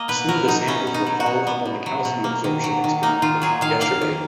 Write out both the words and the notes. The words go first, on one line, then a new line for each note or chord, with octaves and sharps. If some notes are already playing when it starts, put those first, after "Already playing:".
Some of the samples will follow-up on the calcium absorption experiment performed yesterday.
Already playing: A#3 D#5
B2 B4
F#3 A#4
B2 D#4
B3 C#4
B2
D#4
F#3
F#4
B2
B3
B2
F#3
B2
A#3
D#3
F#3
D#3
A#3 D#4
D#3 F4
F#3 G#4
D#3 F5
A#3 F5
D#3